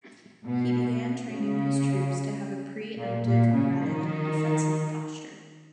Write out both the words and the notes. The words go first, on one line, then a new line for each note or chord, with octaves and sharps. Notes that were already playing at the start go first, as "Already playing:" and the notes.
He began training his troops to have a pre-emptive rather than a defensive posture.
B2
C#3
A#2
A#2
C#3
D#3